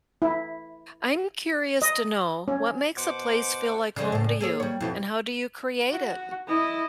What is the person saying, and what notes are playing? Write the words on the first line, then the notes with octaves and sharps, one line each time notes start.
I'm curious to know what makes a place feel like home to you and how do you create it?
E4
D#5
C#4
B2 C5 F#5 D6
F2 C#3 D5
A2 C#3
D5
A#3 G#4 A4 C#5
G3 C#5
F2 B2 E4
F#4
E4 D#5